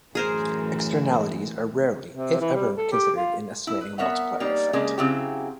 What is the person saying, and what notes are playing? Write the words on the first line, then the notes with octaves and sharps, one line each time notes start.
Externalities are rarely if ever considered in estimating a multiplier effect.
F#2 A2 E3 G#4 A#4 C5
C3
E3
G3
A4
G4
F4
E4
B4
B3 A#4 C#5 E5 F#5
G3 A#3 D#4
C#3 G#3 A#3 C#4
C#3 F#3 C4 E4 G4